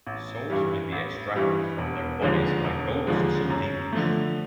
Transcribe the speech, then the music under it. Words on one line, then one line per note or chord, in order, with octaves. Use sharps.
Souls may be extracted from their bodies by ghosts and demons.
A1
G2 E3 G3
A1
G2 E3 G3
E1
D#2 D3 F3 G#3
E1
D#2 D3 F3 G#3
F#2
D3 F3 A3